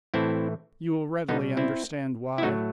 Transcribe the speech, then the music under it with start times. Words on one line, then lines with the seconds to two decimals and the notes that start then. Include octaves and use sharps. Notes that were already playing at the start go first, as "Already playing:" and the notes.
You will readily understand why.
0.14 A2 E3 A3 C4 E4
1.29 B2 G3 B3 D#4
1.57 C4 E4
2.38 E4
2.42 A2 F#3 A3 D#4 F#4